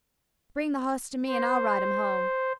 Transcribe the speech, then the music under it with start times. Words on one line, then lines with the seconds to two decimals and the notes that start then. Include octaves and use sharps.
Bring the hoss to me, an' I'll ride him home.
1.27 C5